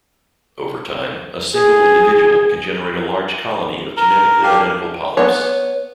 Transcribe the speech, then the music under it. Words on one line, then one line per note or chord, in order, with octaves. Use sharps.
Over time, a single individual can generate a large colony of genetically identical polyps.
G#4
A#4
D4 G4 F5
B3 C#5